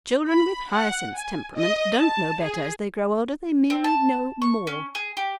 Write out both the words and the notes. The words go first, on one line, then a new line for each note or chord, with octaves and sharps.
"Children with Hyacinth's temperament don't know better as they grow older; they merely know more."
B5
F#5
G#5
D#5
A5
G#4
C4
A5
C#6
C#4
G#4
G4